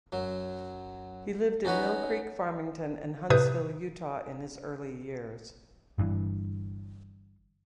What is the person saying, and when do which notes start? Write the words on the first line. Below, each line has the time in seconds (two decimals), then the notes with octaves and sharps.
He lived in Millcreek, Farmington and Huntsville, Utah, in his early years.
0.12 F#2 F#3
1.65 C#4 D#4 F#4 B4 C#5
3.30 A2 C3 B4 D#6 G6
5.98 G1 G2 C3 E3